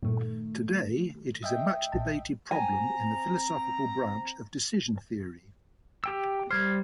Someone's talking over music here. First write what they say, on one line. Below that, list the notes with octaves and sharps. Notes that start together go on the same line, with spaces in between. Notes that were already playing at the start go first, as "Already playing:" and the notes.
Today it is a much debated problem in the philosophical branch of decision theory.
G2 A#2 D#3 A3
D#5 E5 G5
A#1 A5
C4 G#5 A#5
G4 G5 E6
G3 C5 F6 G#6